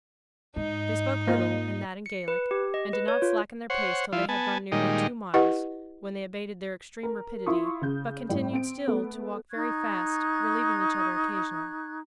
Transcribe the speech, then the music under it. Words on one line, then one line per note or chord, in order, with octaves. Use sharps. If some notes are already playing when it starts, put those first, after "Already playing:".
They spoke little, and that in Gaelic; and did not slacken their pace till they had run nearly two miles, when they abated their extreme rapidity, but continued still to walk very fast, relieving each other occasionally.
G#2 D#4 D#5
A#3 F4
C#7
B4
G4
D#5
B4
C#5
F4
C5 C#5 F#5
F3 E4 F4
B3 G#5 A5
A#2 D#3 G3 G#3 D#4
E4 G4 B4 D#5 F#5
A#4
E4 F4 C6 C#6 D#6
C#3 G6
A2 G3
C4 D7
A3 B3
D#4 C#6 F#6 G#6